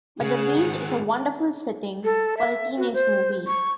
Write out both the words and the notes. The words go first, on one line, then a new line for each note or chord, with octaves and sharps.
But the beach is a wonderful setting for a teenage movie.
C#3 G#4 F#5
G#2 D#3
A4
E5
F#4
C5
C#6